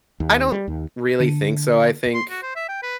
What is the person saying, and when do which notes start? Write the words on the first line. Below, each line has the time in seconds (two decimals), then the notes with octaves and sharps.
I don't really think so. I think
0.20 D#2
0.52 G3
0.68 D#2
1.20 D3
2.14 C6
2.30 F#4
2.42 C5
2.56 E5
2.68 G5
2.82 B4